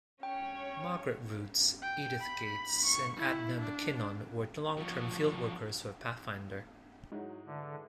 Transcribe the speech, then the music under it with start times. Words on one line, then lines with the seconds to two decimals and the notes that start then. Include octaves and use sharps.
Margaret Roots, Edith Gates, and Edna McKinnon were long-term fieldworkers for Pathfinder.
0.23 C#4 C#5 G5
1.82 G5
2.20 B5
2.86 C#6
3.17 E4
3.60 D4
4.77 F3 F#3
7.12 G#2 F#3 G#3 D#4 E4
7.46 D3 E3 A3